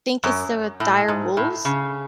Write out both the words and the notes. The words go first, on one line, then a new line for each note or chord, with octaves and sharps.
think it's the dire wolves?
F#2
A2
G#2
A2
C#3